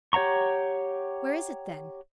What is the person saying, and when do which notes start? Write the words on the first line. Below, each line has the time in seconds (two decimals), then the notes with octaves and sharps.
"Where is it, then?"
0.13 G4 C#5 F#5 A#5 C#6